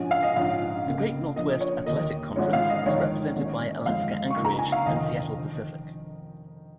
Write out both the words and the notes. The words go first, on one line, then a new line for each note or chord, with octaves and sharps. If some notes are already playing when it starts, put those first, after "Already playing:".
The Great Northwest Athletic Conference is represented by Alaska-Anchorage and Seattle Pacific.
Already playing: A#1 G#2 F3 C#4 G#5
F5
D#5
A#1 G#2 F3 C#4 F5
C#2 C#3 A#3
A#1 A#2 F3 A#3 D#5
C#5
D#2 D#3 A#3 D#5
G#1 G#2 F3 G#3 C#4 C#5
F5
D#5
F2 D#3 G#3 D#4 C#5
G#1 G#2 D#3 A#3 C#4
F2 D#3 G#3 C#4 F5
C#6
C#2 C#3 F3 A#3 D#4
A#5
G#5
F5
F1 F2 D#3 D#5
D#3